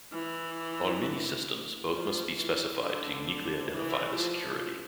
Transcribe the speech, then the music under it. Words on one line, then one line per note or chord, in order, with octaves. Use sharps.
On many systems both must be specified to uniquely identify the security.
E3
F3
E3
D3
E3
F3